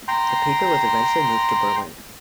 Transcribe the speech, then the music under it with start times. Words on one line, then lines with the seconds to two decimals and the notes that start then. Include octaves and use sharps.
The paper was eventually moved to Berlin.
0.08 G5 A#5 C6